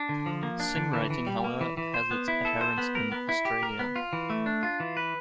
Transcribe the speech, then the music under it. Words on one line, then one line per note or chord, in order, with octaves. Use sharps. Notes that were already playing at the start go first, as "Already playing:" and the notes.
SignWriting, however, has its adherents in Australia.
Already playing: D4
D3
F3
A#3
D4
D3
E3
E3
G3
A#3
E3
E3
C5
B3
E4
A4
C5
B3
A#4
B3
E4
G4
A#4
B3
F4
E3
A3
D4
F4
E3
B4